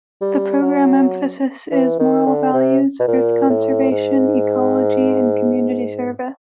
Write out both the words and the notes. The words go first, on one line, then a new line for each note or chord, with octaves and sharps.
The program emphasis is moral values, earth conservation, ecology and community service.
G3
F#3
E3
D#3
D3
C3
B2
A#2
A2
G#2